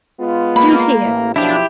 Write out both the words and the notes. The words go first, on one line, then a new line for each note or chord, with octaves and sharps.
He's here.
G#3 B3 F4
A#3 B5
A1
F#2 B2 F3 D4 E4 G4